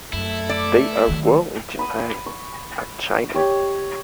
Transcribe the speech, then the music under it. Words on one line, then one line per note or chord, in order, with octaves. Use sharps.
They are grown in Japan and China.
F#2 A3 E4
D5
D#3 F#3
F#5 B5 D#6
C#6
G4 C#5 D#5